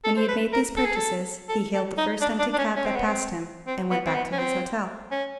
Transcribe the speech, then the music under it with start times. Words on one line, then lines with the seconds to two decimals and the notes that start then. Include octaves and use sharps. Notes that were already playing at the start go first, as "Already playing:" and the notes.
When he had made these purchases, he hailed the first empty cab that passed him, and went back to his hotel.
0.04 A4
0.17 C5
0.29 B4
0.53 A#4
0.77 A4
0.86 G#4
0.96 A4
1.49 A4
1.74 A4
1.98 D#4
2.21 D4
2.40 D4
2.54 D4
2.58 C#4
2.76 C#4
2.86 C4
2.96 B3
3.06 C4
3.67 C4
3.91 B3
4.06 C4
4.15 B3
4.32 C#4
4.39 C4
5.12 C#4